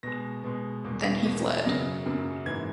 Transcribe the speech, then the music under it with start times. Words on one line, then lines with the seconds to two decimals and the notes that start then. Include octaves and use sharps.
Then he fled.
0.03 B2 G#3 A#6
0.44 B2 G#3
0.84 E2 B2 A#3
1.25 E2 B2 A#3
1.65 F#2 C#3 F#3 A#3 A#6
2.06 F#2 C#3 F#3 A#3
2.46 G#2 E3 A#3 G#6